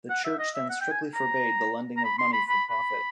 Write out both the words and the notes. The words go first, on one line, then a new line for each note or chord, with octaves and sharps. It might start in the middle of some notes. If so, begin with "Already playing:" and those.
The Church then strictly forbade the lending of money for profit.
F#5
E5
D#5
E5
F#5
G5
G#5
A#5
A#5
B5
C6
B5
B5
B5